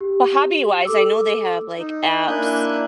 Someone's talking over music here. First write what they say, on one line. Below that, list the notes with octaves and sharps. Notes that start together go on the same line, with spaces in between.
But hobby-wise, I know they have, like, apps
G4
A4 D6 E6
D#4
A#3 D4 E4 G#5 F#6 G6